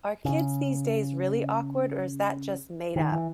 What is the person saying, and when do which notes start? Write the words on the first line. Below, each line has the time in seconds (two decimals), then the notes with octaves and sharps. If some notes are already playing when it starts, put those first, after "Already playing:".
Are kids these days really awkward or is that just made up?
0.25 C#3
2.96 D#3
3.12 E3